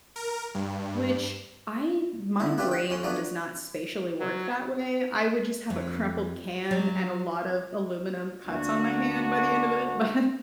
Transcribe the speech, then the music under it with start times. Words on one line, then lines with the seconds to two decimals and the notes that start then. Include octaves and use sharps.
which I my brain does not spatially work that way. I would just have a crumpled can and a lot of aluminum cuts on my hand by the end of it but
0.16 A#4
0.55 G2
2.40 D3 E4
2.58 A3 C4 D4 F4 G4 B4
2.71 F#5 G5
2.90 F2 C#4 C6
3.03 F3 F#3 A3 B3 D4 F#4
4.19 F#3
5.70 F2
6.71 F#3
8.45 D2 A#3 D4 F#4